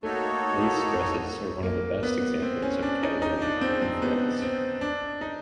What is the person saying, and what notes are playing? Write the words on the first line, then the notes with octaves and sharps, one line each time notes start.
Lace dresses are one of the best examples of Kebaya influence.
A3 A#3 D#4 F#4 A4 C#5
A#3
B3
C4
C#4
D4
D#4
E2 C#3 F3 D#4
D4
C4
C4
B3
C4
D4
D#4